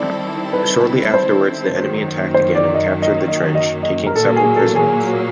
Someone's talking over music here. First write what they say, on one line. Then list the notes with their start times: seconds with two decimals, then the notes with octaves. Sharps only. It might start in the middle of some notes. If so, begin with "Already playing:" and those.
Shortly afterwards the enemy attacked again and captured the trench, taking several prisoners.
Already playing: D#3 G3 C4 E4 A4 D5
0.53 B4
1.14 C5
1.74 F#2 D#3 F#3 A#3
2.34 C5
2.55 D5
2.74 D#5
3.02 D#5
3.28 D#5
3.55 D#5
3.83 D#5
4.06 A#4
4.15 A#2 F#3 A#3 A4
4.36 G#4
4.56 A4
4.75 G#4